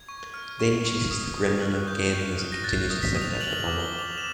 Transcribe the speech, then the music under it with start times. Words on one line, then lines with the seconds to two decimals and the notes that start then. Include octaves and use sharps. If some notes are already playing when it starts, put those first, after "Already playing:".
Then she sees the gremlin again as it continues to sabotage the bomber.
Already playing: G#6
0.08 C#6
0.34 F6
0.60 C#6
0.86 C#6
1.11 D#6
1.37 D#6
1.62 F#6
1.87 C#6 G6
2.13 C#6
2.39 F6
2.52 A#6
2.64 F#6 A6
2.90 D#6
3.03 B6
3.16 D#6
3.21 F7
3.41 F6 F#7
3.60 F#7
3.67 D6
3.80 G7
3.93 D6
3.98 F7
4.18 D6 E7